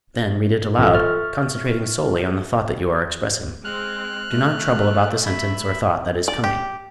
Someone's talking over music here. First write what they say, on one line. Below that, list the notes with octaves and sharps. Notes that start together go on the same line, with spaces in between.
Then read it aloud, concentrating solely on the thought that you are expressing--do not trouble about the sentence or thought that is coming.
A1 F4 A4 B4
E5 C#6 F6 A6
G#3 C4 F6 F#6
A3
E5 B5
D5
G4